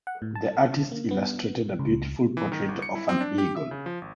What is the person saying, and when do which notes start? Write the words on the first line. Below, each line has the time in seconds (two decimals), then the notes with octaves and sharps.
The artist illustrated a beautiful portrait of an eagle.
0.07 F#5
0.22 A2
0.35 A5
0.92 A#3
1.11 B3
1.79 C#2
2.37 E3
2.52 D#3
2.68 G1
2.82 C#7
2.95 E4
3.09 C4
3.21 D4
3.38 G4
3.56 E5
3.71 C#3
3.86 F3
4.02 G#1